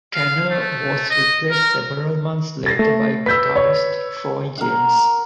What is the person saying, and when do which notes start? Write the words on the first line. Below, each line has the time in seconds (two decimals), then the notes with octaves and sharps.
Tanner was replaced several months later by guitarist Troy James.
0.14 F5
0.50 A3
1.10 D#5
1.50 A#4
2.66 A6 A#6 C7
2.79 A3
3.26 B4 E6 G6 B6
3.56 C#5
4.58 A#4 F#5